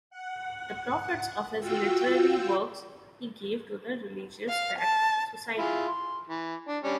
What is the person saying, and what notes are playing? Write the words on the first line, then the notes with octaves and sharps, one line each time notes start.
The profits of his literary works he gave to the Religious Tract Society.
F#5
F4 F#4 G5 E6
F5
A5
E4 F4 G#4
C6
E3
D4
G3 C#4 D4